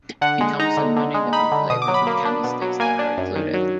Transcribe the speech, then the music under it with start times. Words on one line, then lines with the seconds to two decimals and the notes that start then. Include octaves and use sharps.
It comes in many different flavors with candy sticks that are included.
0.21 D3 F#5
0.41 G#3
0.59 D#4 A#5
0.77 D3
0.96 D3
1.14 G#3
1.33 D#4 B5
1.52 D3
1.70 B2 D#6
1.82 D6
1.88 F#3
1.94 B5
2.07 A#3
2.25 D4
2.44 B2
2.62 F#3
2.80 A#3 G#5
2.99 D4
3.17 F#2
3.35 D#3
3.54 F#3